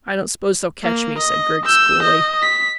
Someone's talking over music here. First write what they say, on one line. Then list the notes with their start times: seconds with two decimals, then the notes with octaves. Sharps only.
"I don't suppose they'll catch me," said Griggs coolly.
0.83 A#3
1.18 D#5
1.66 E6 G6
2.03 D#5
2.42 B6